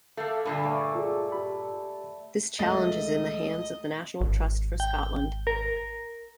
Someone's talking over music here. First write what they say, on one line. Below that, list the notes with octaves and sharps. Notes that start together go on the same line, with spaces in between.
This challenge is in the hands of the National Trust for Scotland.
A3 A#3 A4
G2 A#2 D3 A4
A3 D5
F4 G#4
G4 B5
C#2 A3 D#5 A6
G#1
G5
A#4